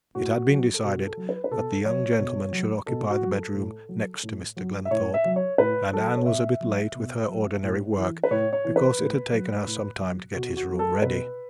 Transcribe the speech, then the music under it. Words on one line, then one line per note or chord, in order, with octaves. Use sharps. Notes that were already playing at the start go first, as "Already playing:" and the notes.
It had been decided that the young gentleman should occupy the bedroom next to Mr. Glenthorpe, and Ann was a bit late with her ordinary work because it had taken her some time to get his room ready.
A2 F#4
F#3
A4
B2 F#4
A4
F#3
B4
B4
B2 A4
F#3 C#5
B2
F#3
B2 A4
F#4
F#3
A4
A2
F#3
A2
F#3
E5
A2 C#5
E5
F#3
C#5
A2 B4
F#3 A4
C#5
B2 E5
F#3
B2
F#3
A2
E3
B4
A2 C#5
C#5
E3
B4
A2
F#3
A2
F#3
B2 F#4
F#4
F#3
A4
B2 B4